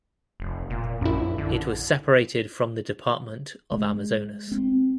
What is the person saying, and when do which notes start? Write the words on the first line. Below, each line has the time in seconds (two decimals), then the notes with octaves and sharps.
It was separated from the Department of Amazonas.
0.40 F1
0.70 A#2
1.01 A#1 F#2 E4
1.38 D3
3.72 G#3
4.52 C4